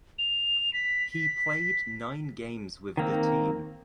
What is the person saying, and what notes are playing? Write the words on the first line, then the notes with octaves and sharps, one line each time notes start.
He played nine games with the team.
F7
B6
D#3 A#3 C4